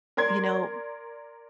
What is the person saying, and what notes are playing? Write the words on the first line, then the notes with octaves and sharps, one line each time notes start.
you know,
A#4 D5 C6 G#6